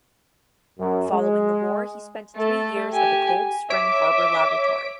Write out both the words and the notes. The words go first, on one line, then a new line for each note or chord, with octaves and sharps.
Following the war he spent three years at the Cold Spring Harbor Laboratory.
F#2
G#3
A3 A4
G4 G#5
C#5 E5 D6 B6 D7